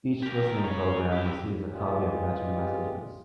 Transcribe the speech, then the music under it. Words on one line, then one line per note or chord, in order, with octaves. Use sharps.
Each listening program receives a copy of matching messages.
G4 A#4
G#4 C#5
E4 G4
E3 G3 G#3 F4 G4 G#4